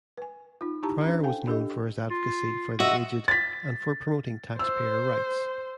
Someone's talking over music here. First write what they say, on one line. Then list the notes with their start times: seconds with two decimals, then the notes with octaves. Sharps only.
Pryor was known for his advocacy for the aged and for promoting taxpayer rights.
0.17 B4 G#5
0.61 D#4 F4
0.83 D#4 E4 G4 A5 A#5
1.04 C#4 D4 C5
1.24 A4 F5 G5 G#5
1.47 D4 G4 A4 D#5
2.10 F4
2.80 F#4 D#5 E5
3.28 A6 B6
4.59 C5 E6